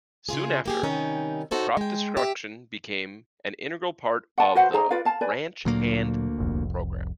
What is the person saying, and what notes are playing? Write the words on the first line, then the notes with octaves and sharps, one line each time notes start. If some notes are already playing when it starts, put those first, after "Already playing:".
Soon after, crop destruction became an integral part of the "Ranch Hand" program.
C#3 E4 F4 G#4
A#3 G4 G#4
C3 D#3 G3 C#4 D#4
D#4 F#4 A4 C5 C#5
G#3 G5
G4 E5
F#5 A5
F#4 B4 C5 F#5
D#4 G#4 C5 A#5
F4 B4 D5 F5
F5 A5
B4 D5 G#5
D2 A#2 F#3 A#3
F1 C2 F2